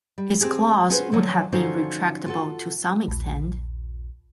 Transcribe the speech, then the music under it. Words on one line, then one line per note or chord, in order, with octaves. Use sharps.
Its claws would have been retractable to some extent.
G3
C4 G4 G#4
C#4 F4 F#4 G#4 B4 C5
D3 F3 F#3
D3 F3 C#4 D#4 F#4 C5
F4 F#4 A4
A#1 D#2